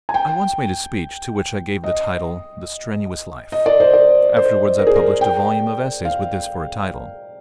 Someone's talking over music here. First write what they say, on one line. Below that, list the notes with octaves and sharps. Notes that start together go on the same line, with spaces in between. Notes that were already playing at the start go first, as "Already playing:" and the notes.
I once made a speech to which I gave the title "The Strenuous Life." Afterwards I published a volume of essays with this for a title.
G#5
G5
D#5
D#5
D5
C5
D5
C5
A#4
G#4
A#4
G5
F5